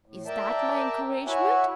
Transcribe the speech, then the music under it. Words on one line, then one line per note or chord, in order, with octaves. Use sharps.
Is that my encouragement?'
A2
A#4 D5 E5 G5 A5
E4 F#4 C#5 E5 F#5 G#5